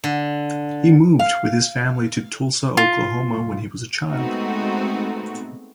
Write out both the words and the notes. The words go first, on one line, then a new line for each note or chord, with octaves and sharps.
He moved with his family to Tulsa, Oklahoma, when he was a child.
D3
F5
F4
G#3 A3 B3 C4 D#4 F#4